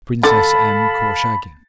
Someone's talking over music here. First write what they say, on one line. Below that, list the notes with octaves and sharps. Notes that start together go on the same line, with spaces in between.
Princess M. Korchagin.
D3 A4 F5 A5 B5 A6